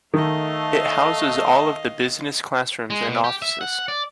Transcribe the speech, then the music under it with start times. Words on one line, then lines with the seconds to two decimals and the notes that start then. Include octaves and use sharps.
It houses all of the business classrooms and offices.
0.14 D#3 A3 D#5 F5
2.90 G#3
3.07 B2
3.24 G4
3.42 E5
3.61 F#5
3.88 D5